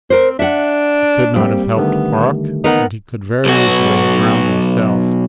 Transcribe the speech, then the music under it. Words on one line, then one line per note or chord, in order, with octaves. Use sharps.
He could not have helped Park, and he could very easily have drowned himself.
C4 A#4 C5
D4 E5 F#5
G3 A#3 C4
D3 D#3 A3 B3
B3 D#4 A#4 F#5
B1 F#4